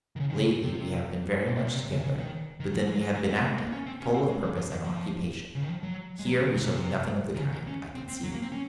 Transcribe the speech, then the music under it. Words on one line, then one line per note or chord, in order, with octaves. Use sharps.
Lately we have been very much together, but then we have been active, full of purpose and occupation: here we shall be nothing of the kind, I can see.
D#3
C#3
D#3
C#3
C3
A#2
C3
A#2
C3
C#3
C#3
D#3
D#3
F3
G#3
F#3
G#3
G#3
C4
G#3
A#3
C#4
C4
C#4
C4
G#3
F#3
F3
D#3
F3
C#3
D#3
F3
F#3
G#3
F#3
D#3
C3
A#2
C3
D#3
C#3
D#3
C#4
C4
C4
F#3
A#3
C4
C#4